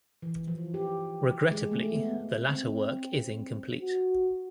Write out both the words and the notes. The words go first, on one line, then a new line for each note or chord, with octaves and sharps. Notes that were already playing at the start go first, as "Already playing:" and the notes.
Regrettably, the latter work is incomplete.
E3
F3
G4
G#3
A3
B3
C4
F#4